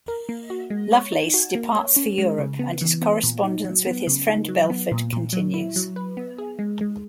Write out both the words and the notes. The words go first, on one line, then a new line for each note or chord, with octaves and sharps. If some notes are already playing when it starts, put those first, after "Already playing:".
Lovelace departs for Europe and his correspondence with his friend Belford continues.
A#4
A#3
F#4
G#3
C#5
D#4
F#4
A#3
C#5
C#4
G#3
C#3
B3
E3
B3
A#2
D#4
F#3
B3
C#3
D#4
F#3
B3
A#2
A#2
F#3
E4
F#3
B4
B3
G#4
G#3
G#3